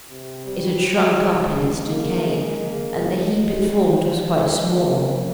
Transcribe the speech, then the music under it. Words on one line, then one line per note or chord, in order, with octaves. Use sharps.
It had shrunk up in its decay, and the heap it formed was quite small.
C3
G3
G#3
G#3
A#3
G#3
A#3
G#3
G3
F3
G#3
A#3